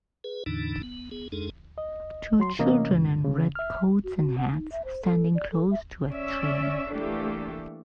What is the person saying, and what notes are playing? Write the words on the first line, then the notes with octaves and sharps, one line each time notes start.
Two children in red coats and hats standing close to a train.
G#4 B4
E2 A2 D3 E3 D4 D#4
B3
B3 G#4
F2 G#3 D4 D#4 G#4 A4
D#5
F#3 C6
C3 E3 A#3 C#4 D#5
C#2 G2
C#3
E5 F6
F#4
F#4
F#5
D#4
E5
C5
A4
D5
A4
E5
C#4 D5 E5
E3 A3 A#3 D4 G4 A4